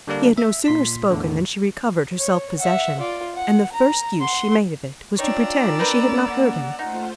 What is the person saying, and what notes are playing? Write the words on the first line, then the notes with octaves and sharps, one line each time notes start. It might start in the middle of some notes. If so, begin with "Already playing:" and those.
He had no sooner spoken than she recovered her self-possession, and the first use she made of it was to pretend she had not heard him.
D3 G3 A#3 D4
E5
A#2 C6 B6
E2 A2 D3
C#5
E5 F#5
F4 D5
F#5
A#5
F#5 C6
D4 D#4 F4 C#5 D5 G5 A#5 E6
A#3 C4 C#4 A#4 B4
F#5
A3 D#4 F4 C5 F#5